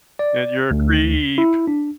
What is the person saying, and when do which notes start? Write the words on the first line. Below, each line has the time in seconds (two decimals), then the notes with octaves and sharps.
"And you're a creep."
0.19 D5
0.71 D2
1.38 E4
1.67 D4